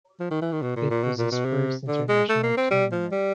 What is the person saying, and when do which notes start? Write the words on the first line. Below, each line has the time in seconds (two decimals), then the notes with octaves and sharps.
It was his first international tournament.
0.20 F3
0.31 D#3
0.42 E3
0.52 D#3
0.62 B2
0.76 A#2
0.90 A#2
1.03 B2
1.18 A#2
1.32 B2
1.45 C3
1.87 D3
2.09 G#3
2.29 A3
2.43 A#3
2.57 C4
2.71 G3
2.92 F3
3.12 G3